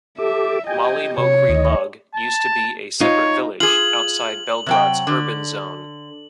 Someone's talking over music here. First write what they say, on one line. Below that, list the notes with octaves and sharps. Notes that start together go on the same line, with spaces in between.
Mali Mokri Lug used to be a separate village, outside Belgrade's urban zone.
G4 A4 E5 D6
G4 D#5 G5 G#5
C3 C#5
D2 D#3 D#5
A5
D#4 F4 C#5
F4 G#4 F#7
C3 F#3 G5
D3